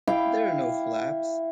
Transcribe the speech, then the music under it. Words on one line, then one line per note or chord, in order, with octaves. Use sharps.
There are no flaps.
E4 F5 G5 D6